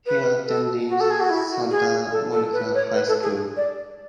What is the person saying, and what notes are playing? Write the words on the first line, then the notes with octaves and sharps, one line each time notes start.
He attended Santa Monica High School.
B4
A4
F#4
A4
G#4
F#4
E4
F#4
G#4
A4
A4
B4
C#5
B4
A4
G#4
D5